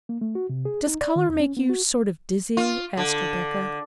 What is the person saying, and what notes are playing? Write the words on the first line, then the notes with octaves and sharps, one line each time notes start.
"Does color make you sort of dizzy?" asked Rebecca.
A#3
A3
F#4
C3
G#4
D#4
D5
D#3
E2
C#4
B3
F#4
F4
D3